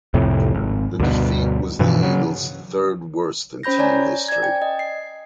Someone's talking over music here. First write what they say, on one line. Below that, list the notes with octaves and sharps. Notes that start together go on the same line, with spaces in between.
The defeat was the Eagles third worst in team history.
C2 F2 A2 C3
G#1
D2 G2 B2
G2 B2 E3 F3
C#3 F#3
C#4 C5 B5 G6 A#6
C#5 D5 G#5 A#5
D5 G#5 G#6
G5
D#5
C7